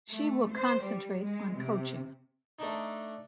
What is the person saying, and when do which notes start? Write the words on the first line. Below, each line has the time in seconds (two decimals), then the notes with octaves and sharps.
She will concentrate on coaching.
0.10 A3
0.51 C5
0.82 G3
1.20 G#3
1.54 C3
2.59 A3 D4 D#4